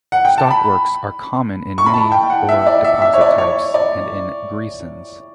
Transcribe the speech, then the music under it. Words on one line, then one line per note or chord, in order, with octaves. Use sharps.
Stockworks are common in many ore deposit types and in greisens.
F#5
G5
A5
B5
C#6
B5
A5
G5
F#5
E5
D5
E5
E5
C#5
D5
C#5
D5